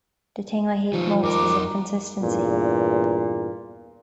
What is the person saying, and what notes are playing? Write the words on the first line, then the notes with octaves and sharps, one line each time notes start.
The thing I hate most is inconsistency.
D#3 F3 F#3
F2 D#3 A#4 D6
E2 G2 A#2